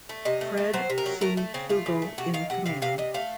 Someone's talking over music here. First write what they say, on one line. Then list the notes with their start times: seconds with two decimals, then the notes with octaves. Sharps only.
Fred C. Fluegel in command.
0.09 A3
0.25 C3 D#5
0.41 A3
0.57 A3
0.73 F#3 C5
0.90 C3
0.98 A#4
1.06 F#3
1.21 A3 A#4
1.37 A3
1.54 C#3 C4
1.69 A3 F4
1.86 C#3
2.02 A3
2.18 C3 F#4
2.34 D#3 F5
2.50 C3 F#5
2.66 C3 F5
2.82 C3 F5
2.98 C3 D#5
3.14 A3 F5